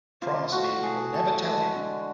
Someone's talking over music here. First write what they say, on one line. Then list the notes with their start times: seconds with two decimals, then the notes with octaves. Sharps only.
Promise me you will never tell him.
0.22 F3 F4
0.52 A2 F#4
0.83 A3 G#4
1.14 A2 A4
1.45 G#3
1.76 D3